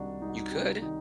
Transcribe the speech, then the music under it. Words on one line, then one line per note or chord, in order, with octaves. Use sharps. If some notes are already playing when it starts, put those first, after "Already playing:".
You could.
Already playing: C2 D#3 D4 D#4 F#4
C2 D#4
F#4
D#4
C3
D#3 D#4